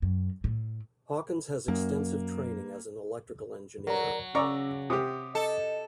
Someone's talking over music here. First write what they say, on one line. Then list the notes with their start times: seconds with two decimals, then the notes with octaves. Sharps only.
Hawkins has extensive training as an electrical engineer.
0.02 F#2
0.44 A2
1.68 F#2 A#3
3.87 F#3 A#4 D5 A#5
4.35 C#3 C#4 D5 A#5 C#6 E6
4.90 C3 G4 D6 D#6
5.35 A4 D#5